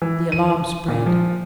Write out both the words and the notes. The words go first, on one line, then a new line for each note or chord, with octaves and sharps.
The alarm spread.
E3
D#7
A#2
F3